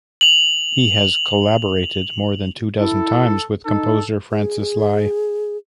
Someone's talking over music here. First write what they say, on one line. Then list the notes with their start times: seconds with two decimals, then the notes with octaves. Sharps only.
He has collaborated more than two dozen times with composer Francis Lai.
0.21 F7 F#7
2.79 E4 A4
3.65 D#4 A4
4.31 G#4